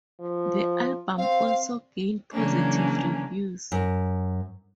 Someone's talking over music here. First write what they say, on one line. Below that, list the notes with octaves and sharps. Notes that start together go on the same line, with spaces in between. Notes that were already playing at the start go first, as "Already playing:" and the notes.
The album also gained positive reviews.
F3
C4 F5
C#3 E3 F#3 A#3 C#4 D4
F#2